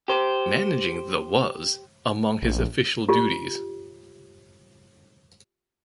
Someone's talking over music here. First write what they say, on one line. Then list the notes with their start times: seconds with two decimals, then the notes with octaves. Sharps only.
Managing the was among his official duties.
0.08 G4 C5
2.43 A#1
3.09 F4 G4